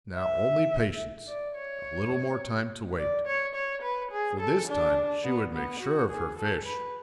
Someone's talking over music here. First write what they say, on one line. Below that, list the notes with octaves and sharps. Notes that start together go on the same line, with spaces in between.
Now only patience, a little more time to wait; for this time she would make sure of her fish!
E5
D5
C#5
D5
C#5
C#5
B4
G#4
A4
D4
B3
B3
F#4
G#4
A4
B4